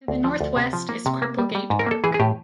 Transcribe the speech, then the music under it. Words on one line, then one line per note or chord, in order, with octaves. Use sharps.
To the northwest is Cripplegate Park.
D2
F3
D2
C3
F3
A#3
C3
A#3
G3
G3
G#2
A#4
A#3 A4
E3 G#4
G#4
A2 G4